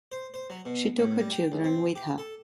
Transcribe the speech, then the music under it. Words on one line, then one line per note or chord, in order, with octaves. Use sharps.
She took her children with her.
C5
C5
F#3
B2
A2
G3
G5
C#2
C4
G4
A4